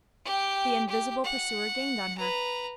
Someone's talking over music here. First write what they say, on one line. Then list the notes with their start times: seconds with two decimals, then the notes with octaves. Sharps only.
The invisible pursuer gained on her.
0.25 G4 G5
0.89 G4
1.24 F#5
2.18 B4 A#5